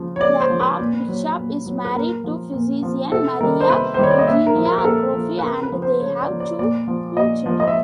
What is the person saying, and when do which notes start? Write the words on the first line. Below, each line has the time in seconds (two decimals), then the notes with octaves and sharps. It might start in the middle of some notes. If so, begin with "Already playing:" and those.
The archbishop is married to physician Maria Eugenia Akrofi and they have two children.
Already playing: C#3 F3
0.16 C#5
0.21 C#3 D5
0.41 C5
0.50 F3
0.60 B4
0.80 A#2
1.08 F#3
1.38 A#2
1.66 F#3
1.85 B4
1.95 A#2 A#4
2.24 F3
2.53 A#2
2.83 F3
3.11 C3 A4
3.40 D#3 G3 A#4
3.60 C5
3.69 C3 B4
3.94 C5
3.99 D#3 G3 C#5
4.11 D5
4.19 D#5
4.27 A#2 E5
4.47 A#4
4.56 F3
4.65 A#4
4.78 A#4
4.85 A#2 A4
5.14 F3
5.38 B4
5.43 C#3 A#4
5.63 B4
5.72 F3
5.82 C5
6.01 C#3 C#5
6.21 D5
6.30 F3
6.40 D5
6.59 A#2 D5
6.88 F3
7.17 A#2 D#5
7.46 F3
7.60 D#5
7.68 E5